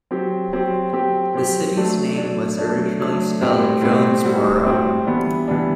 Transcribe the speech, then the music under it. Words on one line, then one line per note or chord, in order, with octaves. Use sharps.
The city's name was originally spelled Jonesborough.
F#3 C4 G4
F#3 C4 G4
F#3 C4 G4
F#3 C4 G4
F#3 A3 D4
F#3 A3 D4
F#3 A3 D4
F#3 A3 D4
A2 G3 C4 F#4
A2 G3 C4 F#4
A2 G3 C4 F#4
A2 G3 C4 F#4
E3 G3 B3 D4
E3 G3 B3 D4